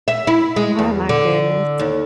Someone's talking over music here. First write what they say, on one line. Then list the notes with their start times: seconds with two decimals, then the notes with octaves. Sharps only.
Oh my goodness.
0.08 E5
0.27 E4
0.56 G#3
0.79 E2
1.09 D3
1.79 D#2